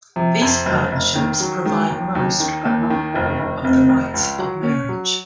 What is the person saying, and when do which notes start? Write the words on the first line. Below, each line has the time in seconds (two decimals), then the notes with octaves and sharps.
These partnerships provide most but not all of the rights of marriage.
0.16 C3 F3
0.42 F2
0.66 F1 F#3
0.92 F1
1.15 D#3 A#3
1.40 F#3
1.65 D#3 G#3
1.90 D#2
2.15 D#2 F#3
2.40 D#3
2.65 D#2 A#3
2.90 D#3
3.15 F1
3.39 F1
3.64 F1 C4
3.89 F1
4.14 C#2
4.39 F#3
4.63 A#3 C#4
4.89 F#3